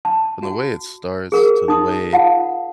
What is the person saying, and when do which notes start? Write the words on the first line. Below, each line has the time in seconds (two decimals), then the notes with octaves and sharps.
from the way it starts to the way
0.05 A5
0.43 F#4
1.32 G#4 A#4
1.68 D#4 D#6
2.13 F4 F5 F#5 A5